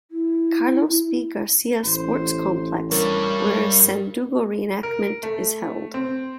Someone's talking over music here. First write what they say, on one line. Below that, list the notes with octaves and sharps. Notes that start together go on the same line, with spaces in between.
Carlos P. Garcia Sports Complex where a Sandugo Re-enactment is held.
E4
A1 C5
G2 G3 D4 A#4 C#5
A#4
A3
C4